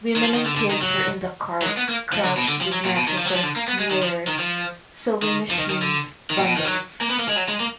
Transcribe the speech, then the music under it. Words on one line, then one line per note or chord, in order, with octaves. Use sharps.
Women and kids were in the carts crouched with mattresses, mirrors, sewing machines, bundles.
D#3
F3
D#3
D3
D3
D#3
F#3
F#3
G#3
B3
A#3
F3
D3
B2
D3
F3
F#3
A#2
B2
D#3
F3
F#3
F3
D3
A#3
B3
G#3
D#3
F3
D#3
F3
D#3
F3
D#3
D#3
D3
D#3
A#2
B2
D#3
F#3
A#3
B3
A#3
G#3
F#3
G#3
A#3